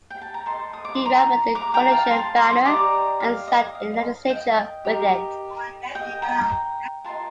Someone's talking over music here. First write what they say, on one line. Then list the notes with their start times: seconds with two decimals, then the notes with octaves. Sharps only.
He ran with the Coalition banner and sat in the legislature with it.
0.10 G5
0.21 A5
0.34 A#5
0.46 A4 D#5 A5 C6
0.73 D#6
0.85 D6
0.95 C6
1.06 A#5 D6
1.55 A#5 D6
1.74 G5 A#5
1.92 F5 A5
2.11 A5 C6
2.38 C6 D#6
2.65 D#4 G4 D5 A#5 D6
3.20 F5
3.47 D#5
3.75 F5
4.30 D#5 G5
4.85 G4 A#4 D#5
5.95 D#5 G5
6.22 G5 A#5
7.04 F4 A#4 D#5 A5 C6